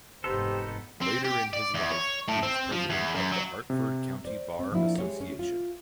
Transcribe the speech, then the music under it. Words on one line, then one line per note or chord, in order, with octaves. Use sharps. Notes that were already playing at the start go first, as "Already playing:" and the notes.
Later in his life he was president of the Hartford County Bar Association.
F1 G#2 B3 D#4 G4 A4 C5
C4
G4
D5
E2
C#5
A2
C4
F3
E2
F#2
F#3
C3
C5 D5
C4
F3 A#3 D4 E4 F#4
G#3 G4 C#5
C#4 C#5
F4